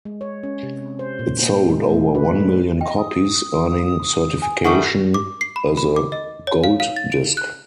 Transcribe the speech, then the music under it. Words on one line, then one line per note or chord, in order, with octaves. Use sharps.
It sold over one million copies, earning certification as a gold disc.
G#3
C#5
C#4
C3
C5
A#2
A#3
G#3
A3
B4
D4
D#5 G5
D#6
G#5
D#3 G3 A3 F#5 C#6 D6
D6
C7
B5
B5
D6
D#5
C#5
F5
F5
A6
D7
F#6